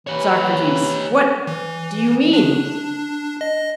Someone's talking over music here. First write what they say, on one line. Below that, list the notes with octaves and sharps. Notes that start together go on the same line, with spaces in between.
SOCRATES: What do you mean?
E3 G4 C#5
E3
D4
D#5